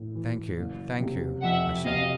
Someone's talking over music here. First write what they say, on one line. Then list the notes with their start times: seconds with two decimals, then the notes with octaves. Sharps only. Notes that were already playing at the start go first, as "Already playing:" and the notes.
"Thank you, thank you," I said.
Already playing: A2
0.15 E3
0.58 F#1
1.00 C3
1.42 F2 E5 F#5
1.85 C3 D#5 F5